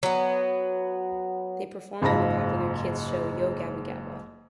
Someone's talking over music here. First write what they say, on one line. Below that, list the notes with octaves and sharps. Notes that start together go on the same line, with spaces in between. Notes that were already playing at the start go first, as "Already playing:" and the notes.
They performed on the popular kids' show Yo Gabba Gabba!
F#3 B3
F#1 G#2 F4 A5 B5 A#6